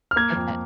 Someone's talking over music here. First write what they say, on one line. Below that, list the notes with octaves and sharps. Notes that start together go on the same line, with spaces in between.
What's that?
F6
A#3 G#6
F2